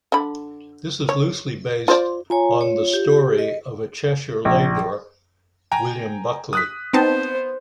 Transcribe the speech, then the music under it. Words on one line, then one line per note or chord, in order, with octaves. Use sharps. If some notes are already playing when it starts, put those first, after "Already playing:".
It is loosely based on the story of a Cheshire labourer, William Buckley.
D3 B5
C#5
F4 C5 D5
F4 C#5 G#5 A#5
C#5
G4
D#5
A#1
G5 G#5 A#5
D#6 F#6 B6
B3 C4 D#4 C5 A5